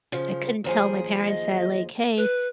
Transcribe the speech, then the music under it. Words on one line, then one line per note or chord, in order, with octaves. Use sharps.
I couldn't tell my parents that, like, "Hey,
C#3 F3
D#2 F3 G#4
D#5
B4